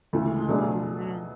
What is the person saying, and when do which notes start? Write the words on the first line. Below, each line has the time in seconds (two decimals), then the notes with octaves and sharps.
Oh, man.
0.13 D2 C#3 E3 A3 E4
0.49 B2 F#3 A3 D4 G#4